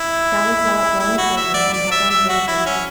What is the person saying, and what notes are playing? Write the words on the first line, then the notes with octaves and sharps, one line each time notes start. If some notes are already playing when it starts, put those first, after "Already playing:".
Dolly saw it rowing toward her, and held on bravely.
Already playing: E4
E4
F#4
E5
D5
D5
E5
E5
F#4
E4
C#4